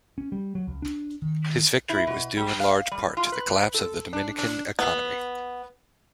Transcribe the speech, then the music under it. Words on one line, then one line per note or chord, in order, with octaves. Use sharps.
His victory was due in large part to the collapse of the Dominican economy.
C#4
G3
F#3
C#2
D4
D#3
E4
B2
G3
F5
G3
F4
B4
A4
D4
D4
B3